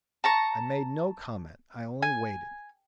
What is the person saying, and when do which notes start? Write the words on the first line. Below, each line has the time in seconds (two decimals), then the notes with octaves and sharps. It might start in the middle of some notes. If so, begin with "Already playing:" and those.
I made no comment; I only waited.
0.24 A5 A#5 C#6
2.02 G#5